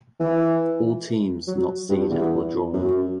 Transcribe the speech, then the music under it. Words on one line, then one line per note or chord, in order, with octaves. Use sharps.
All teams not seeded were drawn.
E3
F#3
G2
E2
F#2